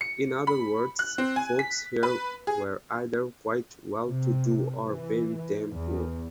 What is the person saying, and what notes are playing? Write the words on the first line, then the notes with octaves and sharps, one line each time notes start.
In other words, folks here were either quite well-to-do or very damn poor.
C#7
B5
F#6
C4
G#5
B6
B4
G#4
C3
E3
E2